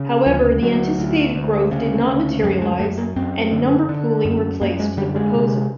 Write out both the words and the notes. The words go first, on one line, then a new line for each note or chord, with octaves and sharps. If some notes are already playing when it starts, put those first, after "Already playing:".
However, the anticipated growth did not materialize and number pooling replaced the proposal.
Already playing: C#3
D2 F3
D2 F#3
D2
D2
C#3
D2
F#2 G3
G#3
F#2 A3
A#3
F#2 C4
D3
D3
F#2
F#2 A#3
G#3
D3 G3
G#3
C3